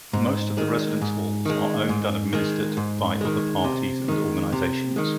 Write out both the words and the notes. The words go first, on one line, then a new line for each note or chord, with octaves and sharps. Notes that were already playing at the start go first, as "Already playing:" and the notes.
Most of the residence halls are owned and administered by other parties and organizations.
G#2
D#3 G#3
G#2
D#3 G#3
G#2
D#3 G#3
G#2
D#3 G#3
C3
D#3 G#3
C3
D#3 G#3